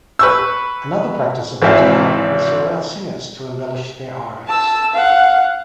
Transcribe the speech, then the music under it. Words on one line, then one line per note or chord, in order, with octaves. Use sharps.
Another practice of the time was to allow singers to embellish their arias.
B4 C#6 E6
G#1 E3 C4 E5 F5
A5 E6
F5 F#5